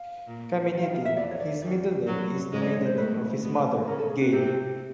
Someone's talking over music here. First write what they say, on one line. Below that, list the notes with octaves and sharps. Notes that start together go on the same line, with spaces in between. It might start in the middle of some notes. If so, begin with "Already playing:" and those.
"Caminiti", his middle name, is the maiden name of his mother, Gail.
Already playing: F5
A#2
D#3
F5
F5
E5
E2 E3 D5
C#5
D5
F2 F3 D5
F#2 F#3
G#2 G#3
D5
C#5
C5
A2 A3 B4
B2 B3
C#3 C#4 A#4
A4
G#4
F#4
C3 C4 G4